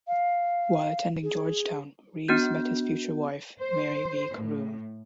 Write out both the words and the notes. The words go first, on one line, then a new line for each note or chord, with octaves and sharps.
While attending Georgetown, Reeves met his future wife, Mary V. Corroon.
F5
G#4
B3 D4 F#4 G6
C5
A2